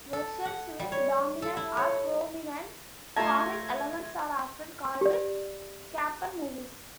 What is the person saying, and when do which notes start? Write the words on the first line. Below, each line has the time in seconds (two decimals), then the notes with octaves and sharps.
Versions with dominant or prominent comic elements are often called caper movies.
0.13 A4
0.45 F#5
0.79 G3
0.92 C#5
1.42 A4
1.57 E4
1.77 C#5
3.17 A3 F4 E5 A5 A#5 C6 G#6
5.01 G4 D5